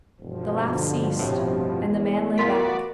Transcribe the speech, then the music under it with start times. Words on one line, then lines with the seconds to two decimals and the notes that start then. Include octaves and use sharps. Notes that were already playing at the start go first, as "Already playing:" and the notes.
The laughed ceased, and the man lay back.
0.20 E1 G2 B2 F3
0.74 D3
1.19 A#1 A2 C3
1.89 E2
2.38 A2 B3 F4 F#4 A#4 D5 B6